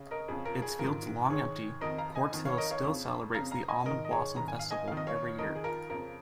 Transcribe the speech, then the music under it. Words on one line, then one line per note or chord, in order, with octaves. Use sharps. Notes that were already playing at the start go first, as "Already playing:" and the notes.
Its fields long empty, Quartz Hill still celebrates the Almond Blossom Festival every year.
Already playing: C#3
A#4 D#5
F2 C#3 G#4
F4 A#4
G#4
G#2 D#3 F4 A#4
G#2 D#3 G#4 C#5
F2 D#3 A#4 D#5
F5 A#5
D#5 G#5
F2 D#3
C#5 F5
A#4 D#5
C#5 F5
F2 C#3
F2 C#3 F5 A#5
F5 A#5
D#5 G#5
G#2 D#3 A#4 D#5
D#5
G#4 C#5
G#2 D#3 A#5
G#5
F5
D#5 G#5
F2 D#3 F5
D#5
C#5 F5
F2 D#3 A#4 D#5
G#4
F4 A#4
F2 C#3 F4 A#4